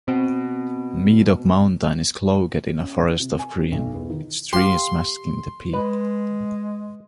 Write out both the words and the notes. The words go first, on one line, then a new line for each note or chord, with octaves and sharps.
Medoc Mountain is cloaked in a forest of green, its trees masking the peak.
B2 C4
C#4
C3
G#5
C4
B1
E2
D#3
G4 F5 C6
G#3 B4